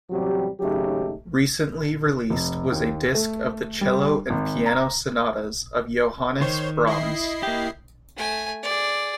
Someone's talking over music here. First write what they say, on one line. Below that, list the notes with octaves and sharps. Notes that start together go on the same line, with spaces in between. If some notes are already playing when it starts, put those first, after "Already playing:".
Recently released was a disc of the cello and piano sonatas of Johannes Brahms.
A1 C3 F#3 G3 G4
G#1 C#3 F#3 A3 D#4 G4
F1
D#2
A3
G3
G#1
A#5
D#3 C5 C#5 C6
E4 D#5 C7
A#3 G4
A3 G#5
G#4 D5